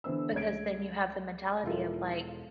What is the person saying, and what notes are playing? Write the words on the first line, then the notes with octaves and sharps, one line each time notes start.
because then you have the mentality of like,
D3 E3 B3 C5 E6
C#2 A3 G#4 C#5 G#6 D7
E1 E4 F4 A4 A#4